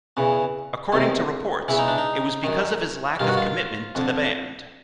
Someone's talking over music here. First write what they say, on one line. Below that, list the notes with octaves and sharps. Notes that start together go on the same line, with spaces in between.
According to reports, it was because of his lack of commitment to the band.
E2 C#3 E3
E2 C3 D#3
E2 C#3 E3 E4
D#4
D4
D#4
F#2 D#3
G2 D#3 F4
F#4
F4
F2 D3